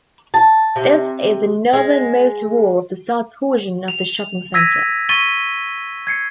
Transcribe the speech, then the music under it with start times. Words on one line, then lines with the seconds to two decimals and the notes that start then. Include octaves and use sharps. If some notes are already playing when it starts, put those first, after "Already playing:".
This is the northernmost wall of the South portion of the shopping centre.
0.34 A5
0.76 C3
1.73 G#3
3.88 F7
4.54 E6 G#6 A#6 B6 D#7
5.09 C#6 A6 B6 D#7 G7
6.07 G#6 C7 C#7